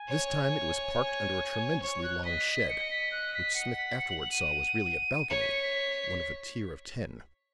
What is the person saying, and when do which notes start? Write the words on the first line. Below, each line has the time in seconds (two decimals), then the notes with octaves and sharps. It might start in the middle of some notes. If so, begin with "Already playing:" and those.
This time it was parked under a tremendously long shed, which Smith afterward saw was really a balcony, one of a tier of ten.
Already playing: G#5
0.08 C#5
0.95 G#5
1.82 C#5 C#6
2.03 F#6
2.25 D#5 B6
2.69 C#7
2.91 B6
3.12 F#6
3.34 B6
3.56 F#5 C#7
3.77 B6
3.99 C#7
4.10 F#7
4.21 F#7
4.32 D#7
5.29 C#5 C#7
5.41 B6
5.52 C#7
5.63 B6